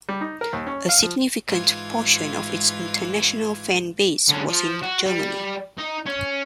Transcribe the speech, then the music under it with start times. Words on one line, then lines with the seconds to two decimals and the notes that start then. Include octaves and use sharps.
A significant portion of its international fanbase was in Germany.
0.09 G3
0.21 D#4
0.41 A#4
0.53 D#2
0.67 C#4
0.89 F5
1.03 F3
1.46 G#2 E3 F4 G#6
4.29 D3 C#4
4.49 F3
4.83 F#4
5.06 G3
5.78 D#4
6.06 C#4